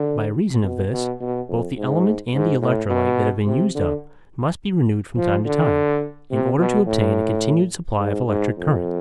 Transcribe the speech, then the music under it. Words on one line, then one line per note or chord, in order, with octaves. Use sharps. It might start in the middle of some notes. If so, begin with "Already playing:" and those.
By reason of this, both the element and the electrolyte that have been used up must be renewed from time to time, in order to obtain a continued supply of electric current.
Already playing: D3
B2
B2
B2
F2
G#2
G#2
A2
B2
C3
D3
F3
D3
C3
B2
A2
G#2
G#2
F2